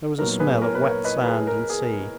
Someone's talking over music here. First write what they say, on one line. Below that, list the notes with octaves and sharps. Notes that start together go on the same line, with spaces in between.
There was a smell of wet sand and sea.
A#2 F#3 B3 D#4 A#4
G#4 B4
A#4 C#5
B4
A#4 C#5
B4 D#5
G#4 B4
A#4
G#4